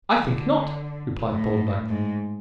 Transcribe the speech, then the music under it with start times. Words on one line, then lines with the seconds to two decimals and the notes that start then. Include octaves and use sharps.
"I think not," replied Thorndyke.
0.14 D3
1.31 A2
1.89 G#2